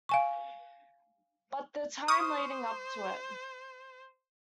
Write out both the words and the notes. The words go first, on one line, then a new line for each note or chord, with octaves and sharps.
But the time leading up to it.
F5 G#5 C#6
C5 C#6 D#6 F6